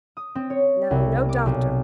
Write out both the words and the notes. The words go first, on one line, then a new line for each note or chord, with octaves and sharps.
No--no doctor.
D#6
C4
C#5
C2
D6
B1